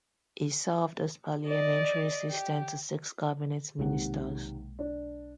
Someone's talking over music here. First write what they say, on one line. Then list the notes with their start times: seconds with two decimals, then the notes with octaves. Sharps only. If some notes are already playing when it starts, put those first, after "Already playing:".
He served as parliamentary assistant to six cabinet ministers.
1.48 D5 D#5
2.30 G4
3.79 B1 C3 D#3 G#3 A#3 F#5
4.79 D4